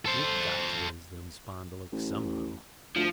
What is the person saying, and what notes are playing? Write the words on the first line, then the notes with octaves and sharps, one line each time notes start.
We've got to raise them spondulicks somehow.
A4 C5
A1
D2 F3